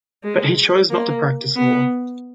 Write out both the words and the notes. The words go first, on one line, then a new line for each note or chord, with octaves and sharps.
But he chose not to practice law.
G#3
A#3
B3